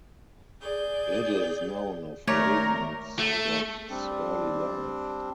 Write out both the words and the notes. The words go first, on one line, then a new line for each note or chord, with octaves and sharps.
Little is known of Ravenscroft's early life.
G#4 D5 G6
D#2 A3 A#4 C#5 D5
A3
G3 C4 D4